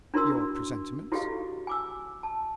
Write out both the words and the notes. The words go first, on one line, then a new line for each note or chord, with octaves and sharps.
"Your presentiments?"
D4 E4 F#4 A#4 C6 E6
E4 F#4 G4 A4 D#5 F5
G#5 D6 E6
A5